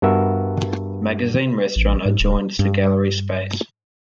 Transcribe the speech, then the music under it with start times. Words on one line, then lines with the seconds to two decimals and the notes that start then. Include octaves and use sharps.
The Magazine Restaurant adjoins the gallery space.
0.02 G2 B3 F#4 A#4 E5
1.76 A1
2.05 G#2
2.20 D1
2.59 G2